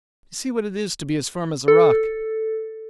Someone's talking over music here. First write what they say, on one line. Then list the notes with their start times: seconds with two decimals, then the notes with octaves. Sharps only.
You see what it is to be as firm as a rock!
1.68 A4